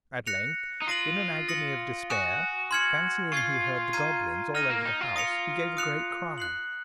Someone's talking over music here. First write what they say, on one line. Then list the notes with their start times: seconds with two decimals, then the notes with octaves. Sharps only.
At length in an agony of despair, fancying he heard the goblins all over the house, he gave a great cry.
0.27 F#6 A#6 C#7 F7
0.82 D#4
0.87 F4 D#6 A#6 D#7 F#7
1.49 D#6 A#6 C#7 F#7
2.10 F#4 G#5 D#6 F#6 C#7
2.71 C6 F6 G#6 C#7 F#7
3.32 F4 C#6 G#6 C7
3.93 A#5 F6 G#6 C7 D#7
4.54 D#4 F6 A#6 D#7
4.70 A#3
4.85 D#4
5.01 F4
5.16 D#6 A#6 C#7 F7
5.77 D#6 F#6 C#7 F7
6.38 F#6 C7 F#7